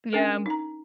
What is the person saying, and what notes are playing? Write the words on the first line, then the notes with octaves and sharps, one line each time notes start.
Yeah, um
C#4 D4 A#4
D#4 A#5